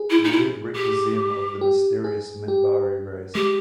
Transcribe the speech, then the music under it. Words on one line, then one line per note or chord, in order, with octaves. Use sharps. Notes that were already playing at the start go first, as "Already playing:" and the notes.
Word reaches them of the mysterious Minbari race.
Already playing: G#4
E4
D#4
E4
G4
G4
G#4
G4
G#3 G4